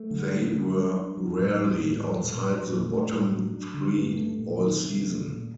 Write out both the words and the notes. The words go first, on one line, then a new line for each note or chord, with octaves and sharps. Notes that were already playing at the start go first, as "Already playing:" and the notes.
They were rarely outside the bottom three all season.
Already playing: A3
D3
F#3
D3
G3
D4
F#3
A2
G3
A2
G3
A#2
F#3
A#2
A3
A2
F#3
D4
D3
G2
A3
A#2
D#3
C3
A3
A#2